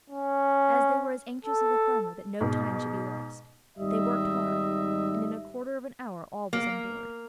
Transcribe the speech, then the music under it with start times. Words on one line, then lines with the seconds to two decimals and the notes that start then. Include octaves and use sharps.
As they were as anxious as the farmer that no time should be lost, they worked hard, and in a quarter of an hour all was on board.
0.10 C#4
1.45 A4
2.41 G#2 B2
3.78 G#1 G3 D#4 D#5 E5
6.53 A#3